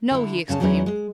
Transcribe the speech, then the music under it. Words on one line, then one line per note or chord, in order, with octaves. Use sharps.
"No!" he exclaimed.
D3 E4
D2 C#3 C#4 A5
E2 F#3 G#3 B3 C#4 E4
G#3